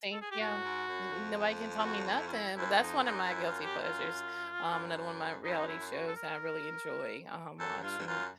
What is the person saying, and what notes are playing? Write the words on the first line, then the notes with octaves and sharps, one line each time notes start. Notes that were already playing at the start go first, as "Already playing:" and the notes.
Thank you, n nobody can tell me nothing, but that's one of my guilty pleasures, um, another one of my reality shows that I really enjoy, um, watching.
A4
G#4
G4
A2 F#4
G#2
F#2
F2
F4
F#4
E4
F4
E4
F#2 E4
F2 D#4
F#2 D#4
E4
F4
G4
F4
F#2
F#2 D#4
E4
D#4
E4
F#2
F#4
A4
A#4
F#2 A4
G2 F4
G2
F#2 F4